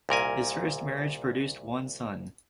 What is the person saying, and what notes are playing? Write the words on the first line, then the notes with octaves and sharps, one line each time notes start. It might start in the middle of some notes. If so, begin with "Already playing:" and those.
His first marriage produced one son.
C2 A#2 A#4 G#5